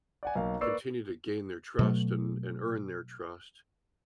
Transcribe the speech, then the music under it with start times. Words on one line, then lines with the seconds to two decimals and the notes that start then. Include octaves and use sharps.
continue to gain their trust and and earn their trust,
0.23 D5 F#5 G#5
0.35 B1 A#3 F5
0.61 A#3 B4 D5 C#6 E6 C7
1.79 B2 F#3 A3